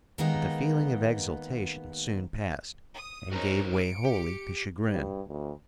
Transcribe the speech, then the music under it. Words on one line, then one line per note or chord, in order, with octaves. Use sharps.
But the feeling of exultation soon passed and gave way wholly to chagrin.
D#3 G#3 A#3 B3 D#4 G4
D#6
C#4 D#4 F#4 A#4 C5
C#7 D7
G4
G2
D2